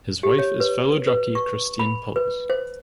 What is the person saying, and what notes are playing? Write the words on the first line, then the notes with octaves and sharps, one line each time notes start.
His wife is fellow jockey Christine Puls.
G4
C#5
B4
B4
C#6
B5
B4
C5